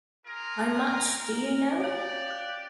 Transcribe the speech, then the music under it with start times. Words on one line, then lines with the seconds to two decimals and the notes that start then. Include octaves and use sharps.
How much do you know?
0.24 F4 G#4 A#4
1.16 A#4
1.80 G4 C#5 D5 F5
2.31 F#6